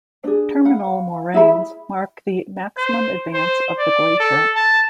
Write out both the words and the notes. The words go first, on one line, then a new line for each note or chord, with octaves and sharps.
Terminal moraines mark the maximum advance of the glacier.
D4 G#4
F5 F#5 B5
E4 G#4 E5 B5
C5
C5
D5
A4
A5